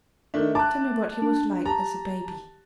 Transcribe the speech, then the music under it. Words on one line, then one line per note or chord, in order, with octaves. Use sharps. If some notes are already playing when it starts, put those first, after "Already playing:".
Tell me what he was like as a baby.'
D#3 A3 D4 E5
A5 D6 F#6
D4
G4 A5 A#5